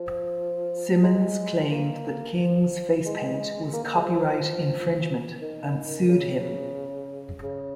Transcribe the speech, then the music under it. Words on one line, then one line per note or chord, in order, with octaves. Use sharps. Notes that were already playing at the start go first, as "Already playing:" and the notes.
Simmons claimed that King's face paint was copyright infringement and sued him.
Already playing: F3
G#3
A#3
F3
G#3
A#3
A#3
G#3
F3
D#3
C#3
C#3